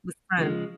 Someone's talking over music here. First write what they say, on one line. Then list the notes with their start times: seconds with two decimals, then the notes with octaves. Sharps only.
with friends.
0.38 C#3 F3 G#3